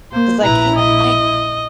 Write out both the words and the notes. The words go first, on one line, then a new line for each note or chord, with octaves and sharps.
'Cause I can't, I
A#3 C5
A#1 E4 B4 A#5
D#5